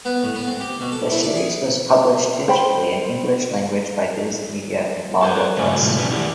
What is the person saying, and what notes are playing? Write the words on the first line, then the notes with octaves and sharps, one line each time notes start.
The series was published digitally in English language by Viz Media and Manga Plus.
B3
A2
B3
C4
G4
B2
A4
E4
D5
G#4
C5 G5 B5
A4 C5
G2 C#3 F#3 A3 C#4 G#5
G#2 B2 E3 F#3 A3 F4
C#4 D4 E4 F4 B4 C#5
E2 D#3 E4 G4 D5 F#5